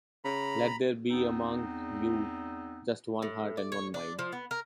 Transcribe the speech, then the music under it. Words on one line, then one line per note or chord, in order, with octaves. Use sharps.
Let there be among you just one heart and one mind.
C#3 A#5 B5
E2 B3 C4 D#4
A2
D5
C#5
D4
F3
B3
A#4